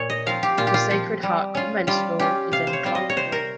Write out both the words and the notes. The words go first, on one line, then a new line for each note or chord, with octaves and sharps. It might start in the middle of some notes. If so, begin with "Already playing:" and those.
The Sacred Heart Convent School is in Khlong Toei.
Already playing: A#2 C#5
D#5
F3 C4 F4 F5
G4
A#2 F4
G4
F4
F3 C4 F4
G3
C#4 F4
G3 F4
C#4 F4 G4
C3 F5
C5
C#5
G3 C4 F4
D#5
C#5
C3 C5
A#4